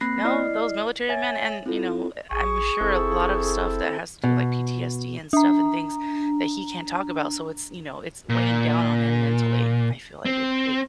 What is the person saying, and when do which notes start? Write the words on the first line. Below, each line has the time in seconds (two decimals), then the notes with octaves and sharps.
No, those military men and, you know, I'm sure a lot of stuff that has to do, like PTSD and stuff and things that he can't talk about. so it's you know, it's weighing down on him mentally. I feel like it it
0.01 A#3 C4 B5 F#6 A#6 C7
0.24 E4 D5 D#5 F6 C7
1.09 C#5 E5 G#5 A6
1.66 C4 E4 F4 A4
2.31 A1 G#4 C#6
2.81 F#1 C4 E4 A4
4.24 B2
5.33 D4 A#5
8.29 A#2
10.25 C4